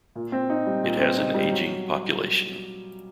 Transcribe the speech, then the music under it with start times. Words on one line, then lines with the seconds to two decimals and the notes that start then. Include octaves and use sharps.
It has an ageing population.
0.15 A#2
0.32 C4
0.50 D#4
0.66 G3
0.84 A#2
1.00 C4
1.18 D#4
1.34 G3
1.52 F#3